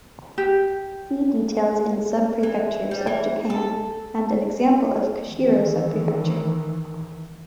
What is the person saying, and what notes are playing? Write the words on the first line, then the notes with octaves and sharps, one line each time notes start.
See details in Subprefectures of Japan and an example of Kushiro Subprefecture.
G4
E3
G3
E3
A4
D#3 E3